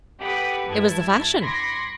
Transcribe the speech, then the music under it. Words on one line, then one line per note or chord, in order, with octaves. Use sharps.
It was the fashion.
G4 A4 B4 F#5 B5 D#6
G2 E4 A5 G#6
B5 C6 D6 G#6 A#6 C#7